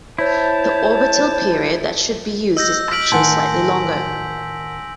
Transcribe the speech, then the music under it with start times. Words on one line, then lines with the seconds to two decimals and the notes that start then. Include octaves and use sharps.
The orbital period that should be used is actually slightly longer.
0.18 E4 C5 C#5 A5
2.57 D#5 E6 G6 A#6
2.92 F6 B6 D7 F#7
3.12 A2 D#3 A#4 F#5 G#5 A5 C6